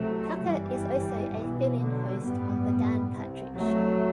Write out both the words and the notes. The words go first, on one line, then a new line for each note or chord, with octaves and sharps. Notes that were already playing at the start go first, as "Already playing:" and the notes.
Tucker is also a fill-in host on the "Dan Patrick Show".
Already playing: C2 C3 F#3 A3
G1 F#2 E3 G3
B1 B2 E3
D3 F#3
A1 G2 G3 B3
C2 C3
F#3 A3